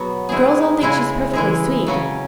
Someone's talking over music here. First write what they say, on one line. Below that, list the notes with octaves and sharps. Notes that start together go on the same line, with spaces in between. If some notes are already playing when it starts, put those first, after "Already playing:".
The girls all think she is perfectly sweet.
Already playing: B2 F#3 B3 F#4 G#4
G#3 E4 G#4
C#3 G#3 E4 G#4
E3 G#3 E4 G#4
C#3 F#3 C#4